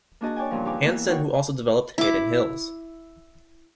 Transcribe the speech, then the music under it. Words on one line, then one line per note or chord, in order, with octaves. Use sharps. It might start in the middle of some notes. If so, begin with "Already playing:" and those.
Hanson, who also developed Hidden Hills.
A#3 D4 F#4 G#4 D#5 A5
C#5 D5 G5 G#5
E2 G2 A#2 C#3 F3
D#4 G4 A#4 B4 G#5 D6
E3 A#3 B3 E4 A#5 E6
D#4 F#4 A#4 C#5 F#5 G5
E4 D6